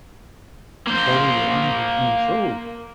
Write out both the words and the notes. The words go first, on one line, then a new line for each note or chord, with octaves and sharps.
All the land has been sold.
A#3 C5